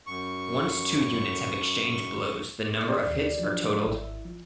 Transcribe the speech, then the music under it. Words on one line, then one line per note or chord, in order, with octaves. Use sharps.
Once two units have exchanged blows the number of hits are totalled.
F#2 C#6
G3
D#2
F3 F#3 D4
G#1 E4 E5
F3